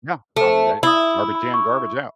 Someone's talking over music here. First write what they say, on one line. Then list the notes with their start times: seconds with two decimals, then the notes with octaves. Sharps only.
Yeah, I mean, they "Garbage in, garbage out."
0.36 A3 A4 C5
0.83 E4 E5 D#6
1.35 B5
1.54 C#6